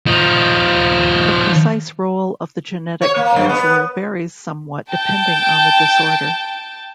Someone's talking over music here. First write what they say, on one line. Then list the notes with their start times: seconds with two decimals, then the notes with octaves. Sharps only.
The precise role of the genetic counselor varies somewhat depending on the disorder.
0.07 F3 D#4
3.02 C#5
3.16 A#3
3.36 G2
3.49 B3
4.90 G5 A5